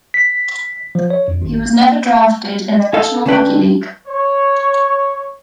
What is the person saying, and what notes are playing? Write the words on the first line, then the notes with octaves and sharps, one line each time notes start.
He was never drafted in the National Hockey League.
B6
F3
C#5
F2
G#1
A#3
A4 F5
D3 C#4 B4 G5
C#5